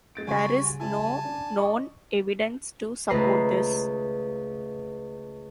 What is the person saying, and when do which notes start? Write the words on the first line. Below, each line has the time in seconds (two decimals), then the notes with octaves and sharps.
There is no known evidence to support this.
0.15 G#3 A6 D7
0.27 C#3 G3 F#4 G#5 C6
0.80 G3 E4 G#5 A5
1.25 D4
1.57 D5 D#5 C#6
3.09 C#2 A3 B4 A#5 D#6 C7